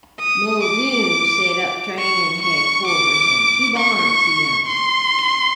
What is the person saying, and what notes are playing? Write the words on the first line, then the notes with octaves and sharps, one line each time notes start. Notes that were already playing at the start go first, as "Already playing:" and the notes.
Muldoon set up training headquarters in two barns he owned.
D#6
D6
C#6
C#6
D6
C#6
C6